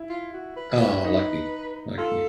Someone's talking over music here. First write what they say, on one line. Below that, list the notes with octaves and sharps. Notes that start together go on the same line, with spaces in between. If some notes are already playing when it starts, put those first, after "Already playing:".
Oh, lucky, lucky.
Already playing: E4
F4
F#4
B4
B4
D#4
F4 A4